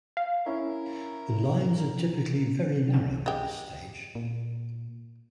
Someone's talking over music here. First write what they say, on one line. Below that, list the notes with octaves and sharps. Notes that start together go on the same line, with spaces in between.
The lines are typically very narrow at this stage.
F5
C#4 E4 A#4
G#3 G4
A#2